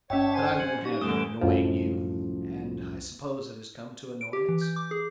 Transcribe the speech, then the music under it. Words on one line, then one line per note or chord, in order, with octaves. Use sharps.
"But--I won't have him annoying you. And--I suppose it has come to annoyance?"
G1 G2 C#4 C#5 D#5 E5 G5 A5
C5 F#5 G#5
F#3
D#4 G4
F#2 D3 E3 G3 A3 D#6
C2 F#2 A2 F3
D7
G4
E3
G6
D6
G#4